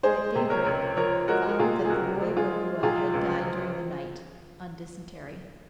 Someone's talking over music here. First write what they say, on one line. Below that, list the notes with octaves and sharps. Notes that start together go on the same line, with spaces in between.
At daybreak found that the boy Bagua had died during the night, on dysentery.
G#3 G#4 C5
C3
A#4 C#5
C#2
F3 A#4 C#5
G#3 F#4 A#4
A#4
C3 F4 G#4
G#4
C#2 F#4 A#4
F3
F4 G#4
G#3
C3 F4 G#4
C#2
F3